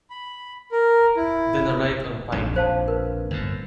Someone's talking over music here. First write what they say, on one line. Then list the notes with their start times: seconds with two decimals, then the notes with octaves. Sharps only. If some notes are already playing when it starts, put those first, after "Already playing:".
Then a right on Pike.
0.10 B5
0.72 A#4
1.17 E4
2.32 A#1 F2 D#4
2.56 C5 F5 A5
2.88 A#4 B4
3.31 G1 F#2 A2